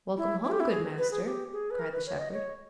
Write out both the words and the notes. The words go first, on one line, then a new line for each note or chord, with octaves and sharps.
"Welcome home, good master!" cried the shepherd.
E4
E4
G4
E4
G#4
B4
G#4
G4
G#4
B4
A#4
B4
C#5
D#5
C#5